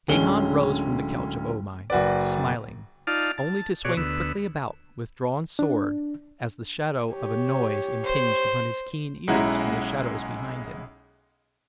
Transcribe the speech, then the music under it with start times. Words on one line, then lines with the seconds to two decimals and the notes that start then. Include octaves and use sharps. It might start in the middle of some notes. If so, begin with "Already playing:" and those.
Gahan rose from the couch of O-Mai, smiling, only to swing quickly about with drawn sword as the shadow of a noise impinged upon his keen ears from the shadows behind him.
0.08 D1 D3 G#3 C#4 G7
1.90 F#1 F#4 B4 D5
3.07 D#4 F4 D5 F5 A5
3.38 A5
3.85 B2 F#4 G#4 C#5 D5
3.97 D2 B3 E6
5.59 D4
7.12 G4 C#5
8.04 C5
9.28 B1 G#3 C#4 E4 F#5 A#5